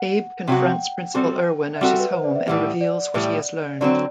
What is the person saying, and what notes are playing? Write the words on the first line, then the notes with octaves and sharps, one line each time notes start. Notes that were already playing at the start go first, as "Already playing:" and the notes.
Abe confronts Principal Erwin at his home and reveals what he has learned.
Already playing: F#5
C3 F#3 C4 F#4 G5
F#5
G5
G3 C4 F#4 A4
E5
G3 C4 F#4 A4 F#5
B4
C5
D5
E5
A2 E3 G3 F#5
D5
A2 E3 G3
D3 F#3 C4 D5